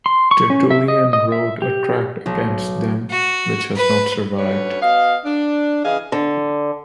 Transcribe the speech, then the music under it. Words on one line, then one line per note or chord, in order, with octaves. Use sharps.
Tertullian wrote a tract against them which has not survived.
C6
C#6
C#4
E5
D#5
D#5
E5
G4
B1
F#4
B4
D2 C#4 B4 C#5
B2 D#5 F5
D4
C#3 E3 G#4 D#5 F5
D3